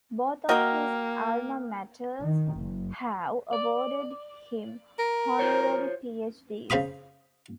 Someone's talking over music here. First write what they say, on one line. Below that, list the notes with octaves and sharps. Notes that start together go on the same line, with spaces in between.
Both of his alma maters have awarded him honorary PhDs.
A#3 F#4 A#4 D#5 G5 D#6 F6
D#3
F#1
D5
A#4
F4 C5 C#5
C#3 C5 F5 B5 D#6